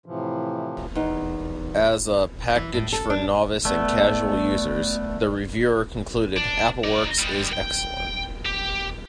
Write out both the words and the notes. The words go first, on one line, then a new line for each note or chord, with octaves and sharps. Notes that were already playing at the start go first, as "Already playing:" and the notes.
As a package for novice and casual users, the reviewer concluded, "Appleworks is excellent".
A2 C3 E3 F3
E2 D#4
E3
A2
A4
D4
A3 B3 D5
D4
D#4 D5
G3 G#3
G5
G4